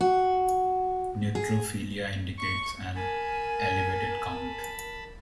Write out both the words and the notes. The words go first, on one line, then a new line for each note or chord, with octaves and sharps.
Neutrophilia indicates an elevated count.
F#4
G#4
C#6
A#4 G#5 A5 B5